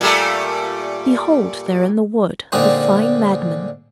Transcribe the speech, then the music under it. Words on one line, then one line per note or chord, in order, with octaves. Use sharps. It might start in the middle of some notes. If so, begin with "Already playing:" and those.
Behold there in the wood the fine madman!
A#2 G3 A3
A#2 D3 G#3 C4 D4 D#4